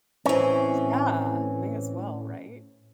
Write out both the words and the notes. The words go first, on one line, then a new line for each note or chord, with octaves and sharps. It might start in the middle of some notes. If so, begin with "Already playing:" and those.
Yeah, may as well, right?
A2 E3 C4 C#4